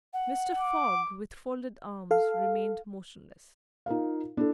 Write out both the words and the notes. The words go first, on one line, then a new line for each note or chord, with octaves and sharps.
Mr. Fogg, with folded arms, remained motionless.
F#5
D6
A4 F5
D#4 F4 A#4 F5
D4 E4 A4